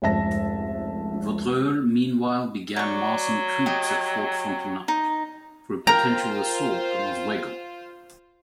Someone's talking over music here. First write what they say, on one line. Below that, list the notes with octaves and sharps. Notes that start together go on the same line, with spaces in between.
Vaudreuil meanwhile began massing troops at Fort Frontenac for a potential assault on Oswego.
F1 C#2 G#2 E5 A5 A#6
F#3 D5 C#6
G4 D#5
D#4
F4 A#4 C5 G5 A#5